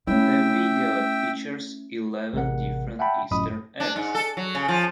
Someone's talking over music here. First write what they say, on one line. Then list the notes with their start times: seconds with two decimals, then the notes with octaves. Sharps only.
The video features eleven different Easter eggs.
0.07 G#3 A3 C#4 E4 E5 G5
2.33 A1 C3 G#3 A#4 F#5
2.99 E5 F#5 G5 A5 B5
3.31 G1 F#2 A2 D#5 B5 D#6
3.80 D4
3.96 G#2
4.15 A4
4.37 F#3
4.55 C#3
4.68 F3